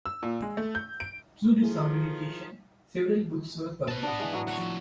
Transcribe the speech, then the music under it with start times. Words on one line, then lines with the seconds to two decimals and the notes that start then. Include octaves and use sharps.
Through this organization, several books were published.
0.06 E6
0.23 A#2
0.42 G#3
0.57 A3
0.75 G6
1.00 D7
1.62 D#3 F3 E4 G#4 A4
3.88 B4 A5
4.03 B3 D4
4.20 E3 G#3
4.33 A2 F#3
4.47 D2 F#4 C#5
4.60 F3 E4